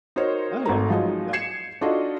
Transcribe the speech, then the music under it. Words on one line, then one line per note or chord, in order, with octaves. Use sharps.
Oh, yeah, yep.
D#4 F#4 A#4 C5 C#5
G#1 A3 A#5
F3 F#3 G#3 D#4
G#6 C7 C#7 E7
D4 D#4 F4 F#4 A4 D#5